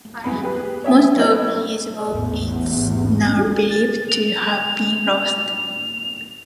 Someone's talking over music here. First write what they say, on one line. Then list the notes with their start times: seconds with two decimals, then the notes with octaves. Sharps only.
Most of his work is now believed to have been lost.
0.24 E2 B3 C4 B5
0.43 G4 G#4 B4
0.84 C#5 E5 G5 G#5
1.16 F#3 D4 E4 B4 C#5 D#5
2.11 A1 E2
3.70 A6
4.08 F7